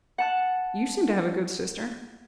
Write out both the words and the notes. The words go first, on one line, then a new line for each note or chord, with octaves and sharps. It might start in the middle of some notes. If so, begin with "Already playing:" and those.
'You seem to have a good sister.'
F#5 A5 F#6